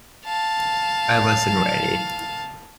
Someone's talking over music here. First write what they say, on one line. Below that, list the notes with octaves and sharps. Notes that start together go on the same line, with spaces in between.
I wasn't ready.
F5 A5